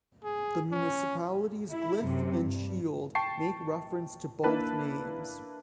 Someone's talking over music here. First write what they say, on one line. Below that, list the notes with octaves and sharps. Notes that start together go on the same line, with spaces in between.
The municipality's glyph and shield make reference to both names.
G#4
C#4
E4
F#2 C3
G2
G5 A5 C#6 C7
A#3 D4 E4 B4 A5